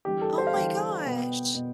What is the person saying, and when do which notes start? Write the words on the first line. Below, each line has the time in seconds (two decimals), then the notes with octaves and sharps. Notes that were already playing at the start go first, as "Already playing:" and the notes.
Oh my gosh.
0.05 E2 D3 G3 G4
0.22 A4
0.38 C5
0.47 F5
0.55 E2 D3 G3 G5
1.05 B2 B3
1.54 B2 B3